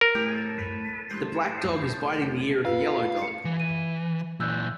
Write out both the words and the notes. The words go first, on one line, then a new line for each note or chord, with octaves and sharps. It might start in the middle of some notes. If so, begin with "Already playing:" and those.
The black dog is biting the ear of the yellow dog.
A#4
F4 B4 F5
C#7
E3
D#7
A#2 E3 E6 F#6 G6